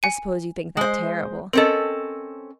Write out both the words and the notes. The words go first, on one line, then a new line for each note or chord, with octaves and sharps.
"I suppose you think that terrible."
G#5 D#7
G#3 C5
C4 C#4 A4 A#4 D#5